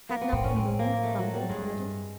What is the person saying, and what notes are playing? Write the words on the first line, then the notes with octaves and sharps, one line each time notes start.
Had not the moon crumbled a little?
A#3
B3
A2 C4
C#4
C4
A#3
A3
F#3
G3
G2 G#3